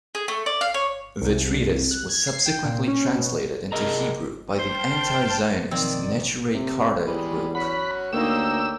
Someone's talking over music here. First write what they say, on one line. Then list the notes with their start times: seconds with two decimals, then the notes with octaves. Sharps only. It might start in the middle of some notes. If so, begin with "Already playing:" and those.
The treatise was subsequently translated into Hebrew by the Anti-Zionist Neturei Karta group.
0.15 G#4
0.28 A3
0.46 D5
0.61 F5
0.74 C#5
1.21 C2
1.91 F#6
2.09 G#6
2.27 C7
2.46 G5
2.65 A#2
2.88 C#4
3.15 B2
3.72 C3 G#4 A#4 D#5 A#5
4.58 C5 G5 A5 F6
5.71 B2 D#3 F3 F#3 C4 D5
6.54 C3
7.06 E2 G3 G#3 B4
7.55 C#4 F#4 F#5 B5
8.13 D2 A#3 D#4 C#5 G5 D6 E6